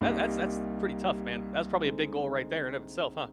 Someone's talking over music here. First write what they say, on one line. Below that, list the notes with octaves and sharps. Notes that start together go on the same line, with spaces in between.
That that that's pretty tough, man. That's probably a big goal right there in of itself, huh.
C2 C3 G3 A#3 D#4
D3 G#3 C4 D#4